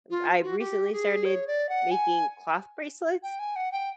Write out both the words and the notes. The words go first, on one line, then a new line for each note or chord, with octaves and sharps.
uh, I've recently started making cloth bracelets,
F4
F#4
G4
G#4
C#5
D5
F#5
G#5
G5
G#5
F#5
G5